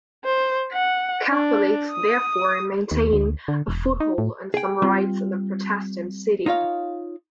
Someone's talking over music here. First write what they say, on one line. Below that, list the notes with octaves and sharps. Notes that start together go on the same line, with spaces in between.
Catholics therefore maintained a foothold and some rights in the Protestant city.
C5
F#5
D4
D#6
D#2
D2
D3
E1
D#4
A2
G#4 G5
G3 C4 F4
D#4 F4 C#5 F5